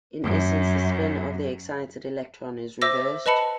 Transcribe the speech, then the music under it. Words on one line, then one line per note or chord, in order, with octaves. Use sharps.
In essence, the spin of the excited electron is reversed.
F#2
C5 E5 D6 E6 A#6
B4 D#5 A5 B5 C#7